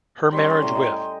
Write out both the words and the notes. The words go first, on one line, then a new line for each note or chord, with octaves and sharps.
Her marriage with.
G3 C#4 C6
A2 D5 A#5
D#5 G5 G#5